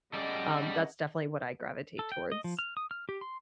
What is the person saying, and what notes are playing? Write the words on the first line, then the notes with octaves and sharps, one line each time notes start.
um, that's definitely what I gravitate towards.
G3 C#4 G#4 A4 D5 D#5 F#5
A4
G5
D#5
F3
F6
D#6
F6
G4
C6